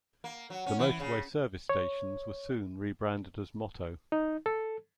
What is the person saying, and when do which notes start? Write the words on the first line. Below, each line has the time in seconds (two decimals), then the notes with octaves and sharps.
The motorway service stations were soon rebranded as Moto.
0.24 A#3
0.50 F#3
0.67 C#4
0.79 E3
1.00 C#3
1.69 C#5
4.12 D#4
4.46 A4